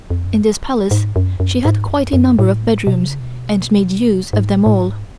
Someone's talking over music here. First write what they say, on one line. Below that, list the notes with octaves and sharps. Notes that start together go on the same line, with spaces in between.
In this Palace she had quite a number of bedrooms and made use of them all.
F2
F#2
G#2
F#2
F#2
G#2
F#2
F#2
A2
B2
C#3
B2
G#2
A2
A2
G#2